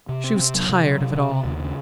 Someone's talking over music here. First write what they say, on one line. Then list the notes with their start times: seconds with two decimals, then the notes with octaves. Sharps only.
She was tired of it all.
0.09 C3
0.24 C4
0.39 C3
0.54 F#3
0.69 C3
0.84 F#3
1.00 C3
1.14 C3
1.29 C#3
1.45 D#2
1.60 C#3